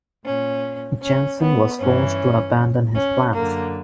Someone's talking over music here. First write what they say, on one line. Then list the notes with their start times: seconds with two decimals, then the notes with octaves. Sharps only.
Jensen was forced to abandon his plans.
0.24 A#2 C#4
1.01 C#4
1.40 B3
1.79 G2 E3 C#4
2.95 C#4
3.33 F#2 D3 A#3